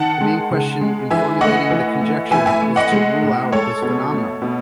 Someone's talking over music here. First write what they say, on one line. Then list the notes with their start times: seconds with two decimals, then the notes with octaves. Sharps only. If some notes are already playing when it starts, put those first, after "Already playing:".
The main question in formulating the conjecture is to rule out this phenomenon.
Already playing: D#3 F#5 A5
0.21 G#3
0.51 C#3
0.81 G#3
1.10 E3 E5 G#5
1.41 A3 D#5 F#5
1.71 E3
2.01 A3
2.31 E3 E5 G#5
2.46 E5 G#5
2.61 A3
2.76 D#5 F#5
2.92 G#3
3.22 A2
3.52 G#3 A4 C#5
3.82 B2
4.12 A3
4.42 B2